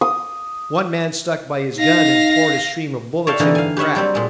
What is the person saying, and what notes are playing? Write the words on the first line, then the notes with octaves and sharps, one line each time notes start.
One man stuck by his gun and poured a stream of bullets into the crack.
D#6
D#4 F5 A#6
C#5 D5 E5 F5 G5 A5
D3 E3 A#3 D#4 A4
F5 G#5
G4 B4 C#5 E5 F#5
F#3 G3 A#3 C4
A#2 G#3